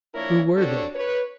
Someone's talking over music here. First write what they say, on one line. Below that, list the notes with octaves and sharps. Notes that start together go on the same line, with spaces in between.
Who were they?
F3 A#3 D4 E4 A#4 C#5
C4 D4 F#4 G4 A4 C#5
B4 C#5